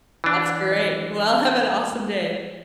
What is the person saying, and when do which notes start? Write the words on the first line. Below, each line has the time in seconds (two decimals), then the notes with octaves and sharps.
That's great. Well, have an awesome day.
0.24 E3 D4